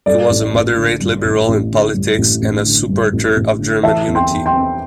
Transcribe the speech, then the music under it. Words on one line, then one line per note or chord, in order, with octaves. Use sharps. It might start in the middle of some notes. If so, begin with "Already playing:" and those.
He was a moderate liberal in politics and a supporter of German unity.
G2 A4 D5
A1
A1
D3
G2
A1
A1
D3
G2
A1
A1
D3
G2
A1
A1
D3
E3 E5 A5
E2
G5 C6
E2
G5 C6
C4